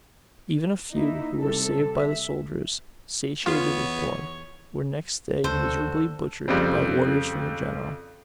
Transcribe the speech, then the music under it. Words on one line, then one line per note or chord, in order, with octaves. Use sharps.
Even a few, who were saved by the soldiers, satiated with blood, were next day miserably butchered by orders from the general.
A#3 D#4 E4
C3 G3 A4
E5
E2 B3 F4 C#5
D2 D4 F#4 A4 C5
F2 C#3 G3 C4